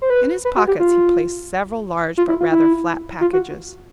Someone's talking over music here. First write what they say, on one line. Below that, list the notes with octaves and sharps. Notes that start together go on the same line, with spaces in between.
In his pockets he placed several large but rather flat packages.
C5
B4
B4
F#4
G4
F4
F4
E4
F4
E4
F4
F#4